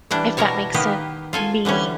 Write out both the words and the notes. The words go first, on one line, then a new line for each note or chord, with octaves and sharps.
if that makes sense. Me,
E3 G3 D4
B2 G3 A#4 C#5 A5
D#3 A#3 B3 G4
F4 A4 G#5
D3 E3 G3 C#4